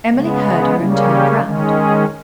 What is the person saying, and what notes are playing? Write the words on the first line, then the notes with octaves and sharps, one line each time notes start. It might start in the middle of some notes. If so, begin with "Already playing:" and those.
Emily heard her and turned round.
C#3 G#3 B3
C#3 G3 A#3 C#4 E4
G4
D#3 G#3 C#4
G#4